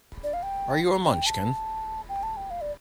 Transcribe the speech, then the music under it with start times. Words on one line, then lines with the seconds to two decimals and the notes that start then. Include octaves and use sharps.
Are you a Munchkin?
0.24 D5
0.33 F5
0.43 G5
1.05 G5
1.26 A5
2.09 G5
2.23 A5
2.37 G5
2.50 F5
2.61 D5